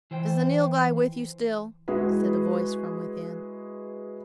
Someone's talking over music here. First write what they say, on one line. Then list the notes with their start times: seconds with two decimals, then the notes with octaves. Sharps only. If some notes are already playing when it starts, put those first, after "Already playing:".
'Is the Nilghai with you still?' said a voice from within.
0.11 E3 C5 G5
1.88 G#3 E4 F#4 G#4 B4